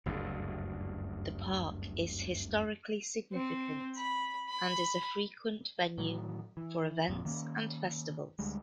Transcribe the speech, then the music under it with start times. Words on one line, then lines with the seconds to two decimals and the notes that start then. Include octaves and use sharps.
The park is historically significant and is a frequent venue for events and festivals.
0.06 F#1 D2 G2
3.33 C4
3.97 B5
4.49 B5
5.98 A2 D#3 E3 F#3
6.57 E3
7.08 F#1 F2 A#2
7.25 D#3 A#3 B3 C#4
8.39 D2 G3 G#3